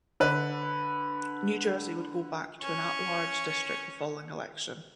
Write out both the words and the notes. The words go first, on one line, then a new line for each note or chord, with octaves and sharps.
New Jersey would go back to an at-large district the following election.
D3 B4
C#4 C#6